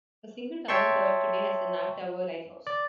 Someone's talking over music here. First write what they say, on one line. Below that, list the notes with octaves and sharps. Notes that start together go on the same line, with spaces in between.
A single tower survived today as the Nab Tower lighthouse.
C#5 E5 G5 A5 C6 C#6
D5